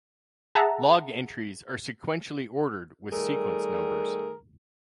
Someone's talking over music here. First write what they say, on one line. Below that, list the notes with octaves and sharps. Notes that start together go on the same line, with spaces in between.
Log entries are sequentially ordered with Sequence Numbers.
G#4 E5 F#5 A5 A#5
D#3 G3 A3 G#4 A#4